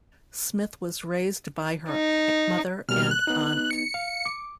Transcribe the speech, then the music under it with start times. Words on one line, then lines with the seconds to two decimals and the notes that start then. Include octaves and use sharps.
Smith was raised by her mother and aunt.
1.91 D#4
2.89 B2 G3 A#3 F6
3.11 F#6
3.27 B3 D#4
3.71 C#7
3.94 F5
4.26 D6